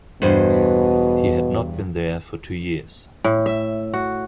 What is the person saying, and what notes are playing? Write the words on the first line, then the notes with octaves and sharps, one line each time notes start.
He had not been there for two years.
E2 G2 B2 C5
A2
E5
F#4